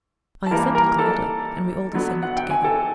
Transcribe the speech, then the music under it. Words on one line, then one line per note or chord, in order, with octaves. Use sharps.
I assented gladly, and we all descended together.
A5
E3 G3 A#3 A#4 A#5
A#4 A#5
A4 A5
D3 F#3 B3
F#5
G5
G#5
A4 A5